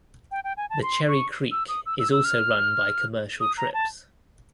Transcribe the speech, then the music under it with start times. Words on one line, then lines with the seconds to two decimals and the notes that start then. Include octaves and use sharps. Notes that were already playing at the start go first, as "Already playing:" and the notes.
The Cherry Creek is also run by commercial trips.
0.31 G5
0.44 G5
0.57 G#5
0.70 A5
0.83 C6
1.08 C#6
1.52 E6
1.69 D#6
1.86 E6
1.99 E6
2.12 E6
2.25 F6
3.40 D#6
3.58 A#5
3.74 A5